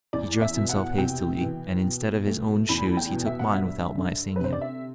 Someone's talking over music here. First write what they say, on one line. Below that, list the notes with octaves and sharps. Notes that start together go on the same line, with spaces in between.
He dressed himself hastily, and instead of his own shoes he took mine without my seeing him.
E2 D5
E5
B2
F#5
C3 G5
E3
B2
A3
E2 B5
G5
B2
E5
F#5
G2 E5
D3
B4
C3 C5
D5
E5